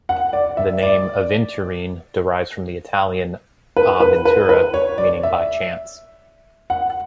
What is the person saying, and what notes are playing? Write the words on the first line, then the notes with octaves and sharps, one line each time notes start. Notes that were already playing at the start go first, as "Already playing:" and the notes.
The name "aventurine" derives from the Italian "a ventura" meaning "by chance".
F#5
D5
E5
D5
B4
B4
B4
B4
C#5
D5
E5
F#5